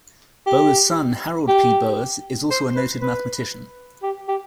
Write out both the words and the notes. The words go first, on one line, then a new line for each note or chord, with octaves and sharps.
Boas' son Harold P. Boas is also a noted mathematician.
G4
G4
C5
B4
B4
G4
G4